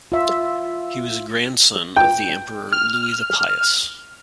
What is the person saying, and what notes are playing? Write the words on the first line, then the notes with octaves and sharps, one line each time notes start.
He was a grandson of the Emperor Louis the Pious.
F4 E5
G5
F6